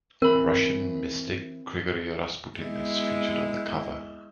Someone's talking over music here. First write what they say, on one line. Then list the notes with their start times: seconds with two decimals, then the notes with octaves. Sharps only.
Russian mystic Grigori Rasputin is featured on the cover.
0.22 E3 C4 A#4 B5
2.59 G#3 B3 E4